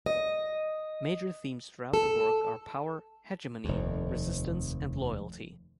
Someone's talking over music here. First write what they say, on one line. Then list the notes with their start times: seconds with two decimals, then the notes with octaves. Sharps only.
Major themes throughout the work are power, hegemony, resistance and loyalty.
0.06 D#5
1.94 A4
3.65 F1 D#2